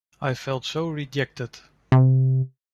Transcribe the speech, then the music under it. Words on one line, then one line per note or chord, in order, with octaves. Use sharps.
I felt so rejected.
C3